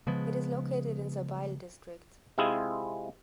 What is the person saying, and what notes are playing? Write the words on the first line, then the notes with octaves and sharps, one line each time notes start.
It is located in Sabail district.
C#3 F3 G#3 B3
C3 G#3 C4 E4 F4 G#4